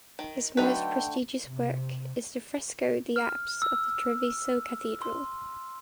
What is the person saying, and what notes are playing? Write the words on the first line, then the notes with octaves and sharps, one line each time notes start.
His most prestigious work is the fresco the apse of the Treviso Cathedral.
D#3
D3 F#3 A3 D4 D#4 F#4 B4 G5
C3
F6
E6
C6